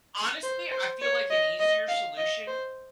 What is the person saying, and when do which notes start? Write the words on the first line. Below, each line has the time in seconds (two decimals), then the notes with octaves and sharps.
Honestly, I feel, like, an easier solution
0.43 C5
0.72 C5
1.02 C#5
1.30 D#5
1.60 D#5
1.89 F5
2.17 D#5
2.47 C5